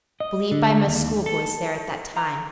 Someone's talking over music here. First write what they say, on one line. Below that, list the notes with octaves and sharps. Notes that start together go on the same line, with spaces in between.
Believed by most schoolboys there at that time.
D#5
D3
D#2
A4
A#5